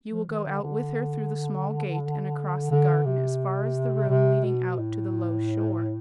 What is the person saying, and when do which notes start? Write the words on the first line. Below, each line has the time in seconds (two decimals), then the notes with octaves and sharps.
You will go out with her through the small gate and across the garden as far as the room leading out to the low shore.
0.10 F3
0.28 D#3
0.45 D3
0.62 D3
2.71 D3
3.06 C3
4.09 C3
4.44 B2
4.78 A2